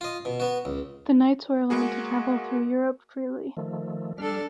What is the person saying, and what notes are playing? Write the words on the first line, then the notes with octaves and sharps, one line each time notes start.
The Knights were allowed to travel through Europe freely.
F4 D#5
B2
B3 F#4
C#2
G#3 A#3 F#4 G#4
D#3 F3 A3
G3 D4 A4 F6